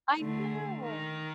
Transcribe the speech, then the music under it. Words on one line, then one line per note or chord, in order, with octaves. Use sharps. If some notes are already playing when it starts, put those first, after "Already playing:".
I know.
D3 A3
D#3